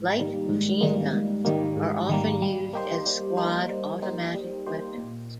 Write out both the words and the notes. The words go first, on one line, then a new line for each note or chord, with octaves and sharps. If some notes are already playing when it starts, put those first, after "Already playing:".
Light machine guns are often used as squad automatic weapons.
Already playing: G#2
D#3 G3 A#3
G#2
D#3 G3 A#3
G#2
D#3 G3 A#3
G#2
D#3 G3 A#3
G3
A#3 D#4 G4 C5
G3
A#3 D#4 G4 C5
G3
A#3 D#4 G4 C5
G3
A#3 D#4 G4 C5
A#2